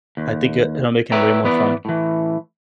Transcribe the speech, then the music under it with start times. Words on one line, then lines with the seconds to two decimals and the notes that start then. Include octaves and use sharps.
I think it it'll make him way more fun.
0.17 D#2
1.12 B4 C#5 D5 E5 G5 A#5
1.44 E3 B3 B4 D5
1.85 A2 E3